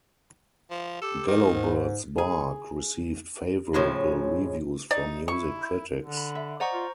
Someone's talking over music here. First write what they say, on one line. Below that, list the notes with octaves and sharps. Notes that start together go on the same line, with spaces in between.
"Gallowsbird's Bark" received favorable reviews from music critics.
F3
G4 A4
D#3
G#2
G#4
A2 C#3 F3 G#3
D#4 D5
E4 C#6
D3
B5
E5
C5 D5 D#5 F#5 A#5 C#6
F4